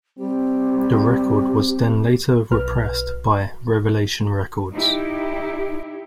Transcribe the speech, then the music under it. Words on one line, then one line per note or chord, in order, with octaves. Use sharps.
The record was then later repressed by Revelation Records.
G3 C4 G4
B1 B4 F6
D#4 E4 G4